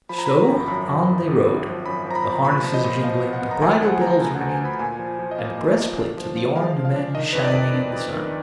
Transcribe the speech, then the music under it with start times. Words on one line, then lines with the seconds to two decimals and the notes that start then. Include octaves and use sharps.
So on they rode, the harnesses jingling, the bridle-bells ringing, and the breastplates of the armed men shining in the sun.
0.09 F3 B5
0.18 A#5
0.26 F3 B5
0.48 G#1
0.68 F#2 B5
0.88 F#2
1.07 G#1
1.27 G#1
1.47 F#2
1.66 F3
1.85 F#2 B5
2.05 F3
2.11 A#5
2.16 B5
2.25 F3
2.44 A#2 B5
2.65 F3
2.74 D#5
2.84 A#2
3.03 F3 F5
3.23 B3
3.33 F#5
3.42 B3
3.51 A#5
3.62 D2 G#5
3.81 F3 F#5
4.01 D2 A#5
4.15 A#5
4.20 D2 G#5
4.35 F#5
4.41 D2
4.50 G#5
4.61 D2 B5
4.79 A#2 G#5
4.99 F3
5.19 F3
5.31 D#5
5.39 A#3 F5
5.58 A#3
5.78 F3
5.97 D4
6.17 F3
6.36 F3
6.55 G#3 F5
6.75 F3
6.85 F5
6.96 D4
7.14 D#3 D#5
7.33 F2 B4
7.44 D5
7.53 F2
7.73 D4
7.93 F2
8.12 D#3